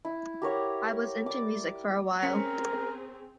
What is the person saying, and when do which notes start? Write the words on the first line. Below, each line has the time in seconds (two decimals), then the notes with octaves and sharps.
I was into music for awhile.
0.05 E4
0.42 G4 A#4 C#5 F#5
1.26 D5 D6
2.22 C4 C#4 G#4 A#4 B6 C#7